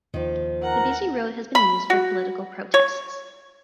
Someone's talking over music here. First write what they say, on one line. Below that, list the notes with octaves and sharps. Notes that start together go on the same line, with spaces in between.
The busy road has been used for political protests.
D#2 D#3 F3
A#4 F#5 A#5
B5
F#4
C#5